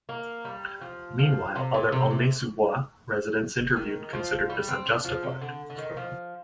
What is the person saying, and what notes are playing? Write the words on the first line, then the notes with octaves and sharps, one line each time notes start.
Meanwhile, other Aulnay-sous-Bois residents interviewed considered this unjustified.
A#3
G3
F3
F3
C3
A#2
C3
C3
D#3
F3
G3
C4
D4
F3
C3
D3
D3
D#3
F3